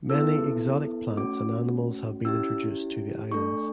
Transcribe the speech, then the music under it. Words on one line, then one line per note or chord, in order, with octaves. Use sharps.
Many exotic plants and animals have been introduced to the islands.
B3 E4 A4 E6
A3 C#4 F#4 D6
C#4 E4 G4 E6
A3 D4 A4 C#6